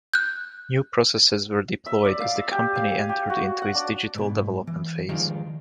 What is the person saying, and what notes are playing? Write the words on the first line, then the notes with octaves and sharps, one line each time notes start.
New processes were deployed as the company entered into its digital development phase.
F#6 G6
E5
D5
F5
E5
G4
F5
G#5
G4
F#4
F#5
D4
G#2 B2
E3
D#3 F3 G#3 D4 D#4 F4